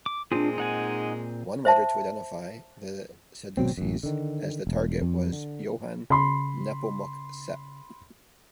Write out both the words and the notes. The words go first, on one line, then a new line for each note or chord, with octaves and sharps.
One writer to identify the Sadducees as the target was Johann Nepomuk Sepp.
D6
A#2 G#3 C4 D4 F4 G#4
D#4 F#5 G#5
C5 E5 A5
G#1 B2 F#3 C4
A1 F#2
D3 D#3
E1
F2
D3
C#3 B5 C6